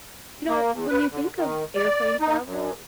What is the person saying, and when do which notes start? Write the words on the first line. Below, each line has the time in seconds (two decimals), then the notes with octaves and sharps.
You know, when you think of airplane travel,
0.48 A#3
0.71 E2
0.89 B4
1.11 D3
1.36 D#3
1.76 D5
2.20 D#4
2.45 F#2